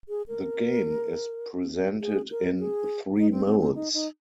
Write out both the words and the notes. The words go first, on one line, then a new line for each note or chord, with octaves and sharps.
The game is presented in three modes.
G#4
A#4
G#4
A#4
G#4
D#4
C4
C4
C4
D#4
D#4